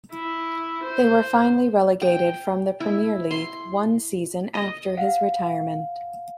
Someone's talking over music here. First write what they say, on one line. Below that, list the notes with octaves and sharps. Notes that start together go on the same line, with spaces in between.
They were finally relegated from the Premier League one season after his retirement.
E4
C5
G5
E4
C6
D#5
F5 F#5